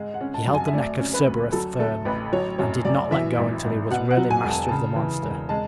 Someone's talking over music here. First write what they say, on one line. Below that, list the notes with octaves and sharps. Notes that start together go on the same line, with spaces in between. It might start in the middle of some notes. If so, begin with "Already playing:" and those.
He held the neck of Cerberus firm, and did not let go until he was really master of the monster.
Already playing: G#2 G#3
F#5
C#4
A5
F#2
G#5
E5
A3 D5
C#4
B4
D2
F#3 A4
A3 A4
A1 B4
F#3 C#5
F#2 C#5
F#2 D5
E3 E5
G#1
G#1
B2 F#5
F#5
F#3
G#5
E1
A5
C#3 A5
E3
E1
G#3 A5